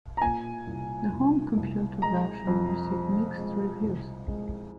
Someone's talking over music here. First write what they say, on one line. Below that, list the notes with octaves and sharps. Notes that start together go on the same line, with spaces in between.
The home computer versions received mixed reviews.
A#5
A#2 G#5
C2
C2
C2
G#3 A#5
F2
F3
G#3
C2
G#3